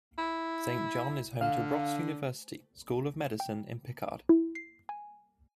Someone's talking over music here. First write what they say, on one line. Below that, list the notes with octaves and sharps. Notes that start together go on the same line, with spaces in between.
Saint John is home to Ross University School of Medicine in Picard.
E4
D3 F5
G5
E4
C7
G#5